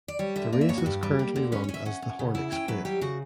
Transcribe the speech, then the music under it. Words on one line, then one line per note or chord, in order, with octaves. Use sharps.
The race is currently run as the Horlicks Plate.
D5
G3 C#5
D3 E5
A#3 D5
E5
G2 C#5
F#4
G2 G4
G3
A#3
D3
C#4 B4
C#5
C#4
E5
C#4 F#5
C#4
C#3
E4
C#4 G5
F#3 B4
G3 G4
C#3 F#4